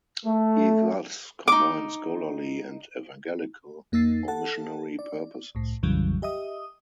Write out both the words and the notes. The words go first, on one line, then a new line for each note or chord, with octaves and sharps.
He thus combined scholarly and evangelical or missionary purposes.
A3
D#4 D6
F2 A#3 D#4 E6 A6 C7
A4 F#5 A5
D5
C2 A2
A#1 F2 C#3 E3 F#3 G3
G4 D#5 E5 D#6